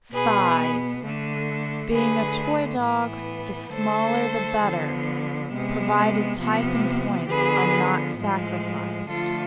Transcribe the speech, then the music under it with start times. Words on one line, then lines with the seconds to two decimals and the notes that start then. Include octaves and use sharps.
SIZE--Being a toy dog the smaller the better, provided type and points are not sacrificed.
0.13 B2 B3 G#4 B4
1.03 D3 A3
1.91 D3 A3 G#4 B4
2.81 A2 E3 B3
3.71 D3 A3 A4 C5
4.61 D3 F3 B3
5.50 C3 G#3 B3
6.40 C3 F3 B3
7.29 D3 F3 B3 G#4 B4
8.19 A2 F3 G#3
9.08 D3 F3 A3 F4 A4